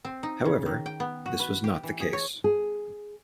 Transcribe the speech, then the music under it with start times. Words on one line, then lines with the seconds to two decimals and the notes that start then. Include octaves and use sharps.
However, this was not the case.
0.05 C4
0.23 D#4
0.45 C#3
0.66 D#3
0.86 G5
1.00 B3
1.26 F#4
1.40 B4
1.64 G4
1.83 E3
2.00 G#4
2.13 C#5
2.44 G#4